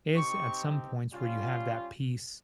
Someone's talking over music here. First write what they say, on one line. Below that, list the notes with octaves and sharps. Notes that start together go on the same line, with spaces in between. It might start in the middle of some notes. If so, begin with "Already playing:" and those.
is at some points where you have that peace,
C4 D#4 G4 C#6
G3 C#4 F4